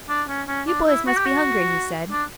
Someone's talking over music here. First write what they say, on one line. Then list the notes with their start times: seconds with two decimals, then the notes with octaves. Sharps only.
'You boys must be hungry,' he said.
0.09 D4
0.28 C#4
0.48 C#4
0.67 D4
0.87 E4
1.07 F#4
1.17 G4
1.26 F#4
2.12 D4